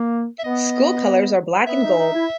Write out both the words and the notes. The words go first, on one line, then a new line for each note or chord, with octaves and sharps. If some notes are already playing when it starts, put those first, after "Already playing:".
School colors are black and gold.
Already playing: A#3
E5
B3 D#5
B3 E5
D#4
D#4
E4